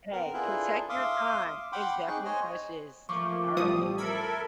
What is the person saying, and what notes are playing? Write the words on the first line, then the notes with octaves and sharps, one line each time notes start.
hey, protect your time, it's definitely precious. All right,
B3 C4 A#4
D4 E4 F4 G#4 A4 B4
E5 F5 C6 D6 D#6
F#5 G5 B5 C6 D6
C4 D#4 G#4 C#6 F#6
C5 C#5 D#5 G#5
F3 A3 A#3 C#6 D6
A1 B2 F3 G3 D#6
A4 A#4 E5 B5 G#6
A5